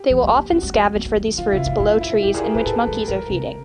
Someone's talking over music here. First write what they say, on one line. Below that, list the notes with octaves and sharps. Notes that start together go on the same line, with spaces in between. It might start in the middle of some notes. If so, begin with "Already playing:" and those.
They will often scavenge for these fruits below trees in which monkeys are feeding.
Already playing: G4
F3
A#3
B3
C4 F#4
G3
G#3
G#3
A#3
E3
D#3
D#3
D3 F4
C#3 E4
F4
C#3
B2 E4
E4
A2 G4
A#2 G#4
A#4
A#2 B4
A2 A4
G#2
G#2 A#4
C3